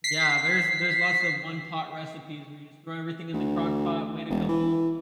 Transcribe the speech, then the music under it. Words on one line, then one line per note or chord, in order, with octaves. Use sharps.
Yeah. There's there's lots of one-pot recipes where you just throw everything in the crockpot, wait a couple
B6 C7
D2
E1
E3